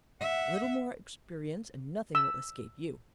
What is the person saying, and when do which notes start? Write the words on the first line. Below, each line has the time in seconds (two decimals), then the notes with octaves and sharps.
A little more experience, and nothing will escape you.
0.21 E5 F#5
2.15 E6